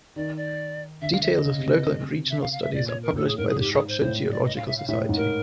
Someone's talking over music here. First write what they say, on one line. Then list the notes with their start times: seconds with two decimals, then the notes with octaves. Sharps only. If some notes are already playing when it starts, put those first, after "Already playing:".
Details of local and regional studies are published by the Shropshire Geological Society.
0.16 D#3 D5
0.37 D5
1.01 D3 E5
1.12 F5
1.23 D3 E5
1.33 D#5
1.45 C#3
1.59 C3
1.73 C3
2.30 E5
2.41 F5
2.52 F5
2.62 E5
2.73 A#2 D5
2.88 C#5
3.02 A#4
3.16 A2 A4
3.28 G#4
3.37 G#2 A#4
3.49 G#4
3.59 G#2 G4
3.73 G#4
3.88 C5
4.02 A2 C5
4.31 D5
4.45 D#5
4.56 F5
4.67 E5
4.78 F5
4.88 A2 E5
5.09 G#2
5.16 A#4